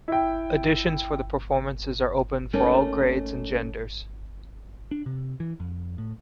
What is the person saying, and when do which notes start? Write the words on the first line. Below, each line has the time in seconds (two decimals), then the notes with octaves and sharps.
Auditions for the performances are open for all grades and genders.
0.08 E4 G5
2.53 A3 A#3 C#4 D#4
4.91 D4
5.06 C3
5.40 E3
5.60 F2
5.98 A2